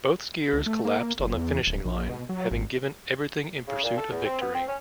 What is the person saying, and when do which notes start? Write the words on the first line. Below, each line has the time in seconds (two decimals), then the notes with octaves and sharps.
Both skiers collapsed on the finishing line, having given everything in pursuit of victory.
0.53 C#2
0.66 A3
0.85 A#3
1.19 F#1
1.35 E2
1.67 D1
1.85 A#1
2.09 B2
2.29 F#3
2.51 G#1
3.67 C#3
3.83 A#2
3.97 A4
4.10 E2
4.25 C4
4.41 B3
4.54 C4
4.67 C#4